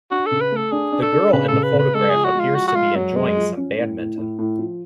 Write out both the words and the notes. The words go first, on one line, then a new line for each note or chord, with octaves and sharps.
The girl in the photograph appears to be enjoying some badminton.
D4 F#4
C#3 A4
B4
A3 A4
D4 G#4
D4
A4
D4
C#3 B4
C#3 A4
B4
C#3
B4
G#3 A4
F3 G#4
F#4
G#3
F4
F3 F#4
F#4
G#3 F4
F#2 F#3
F#2 G#3
F3
C#4
A2
A2
A2
A2
F3